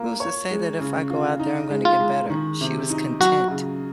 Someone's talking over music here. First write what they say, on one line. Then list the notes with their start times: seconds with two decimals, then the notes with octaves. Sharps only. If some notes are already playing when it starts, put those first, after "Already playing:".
"Who's to say that if I go out there, I'm gonna get better?" She was content.
Already playing: A#3 F4
0.20 C#5
0.50 G#3
0.80 C#3
1.10 F4
1.40 D#4
1.70 G#3
1.85 F4
2.00 G#3
2.30 D#3
2.61 C3
2.90 D#4
3.20 F#3 F#4
3.50 C#3